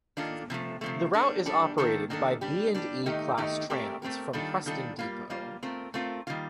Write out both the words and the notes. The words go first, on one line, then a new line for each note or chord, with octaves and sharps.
The route is operated by B and E class trams from Preston depot.
D#3 A#3 D4 F4 A4
C3 F3 A3
C3 F3 A3
G3 D4 A4
G3 D4 A4
D#3 A#3 D4 A4
D#3 A#3 D4 A4
G3 D4 G4
G3 D4 G4
D#3 A3 D#4 G4
D#3 A3 D#4 G4
A3 C4 G4 A#4
A3 C4 G4 A#4
D#3 G3 D4 F4 A4
D#3 G3 D4 F4 A4
G3 A#3 F4
G3 A#3 F4
A3 C4 F4 A#4
A3 C4 F4 A#4
D#3 G3 A#3 F4